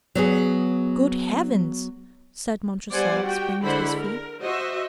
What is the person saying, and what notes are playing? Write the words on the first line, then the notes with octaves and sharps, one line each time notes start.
"Good Heavens!" said Montresor, springing to his feet.
F#3 B3 G#4
G3 B3 C5 D5 F#5 G#5
F#4 G4 G5
D3 G#3 E4 C5 F#5 B5
A#4
F#4 C5 D#5 E5